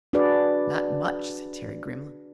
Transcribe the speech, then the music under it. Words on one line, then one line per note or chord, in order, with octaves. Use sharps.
"Not much!" said Terry grimly.
D4 F#4 G#4 B4 D5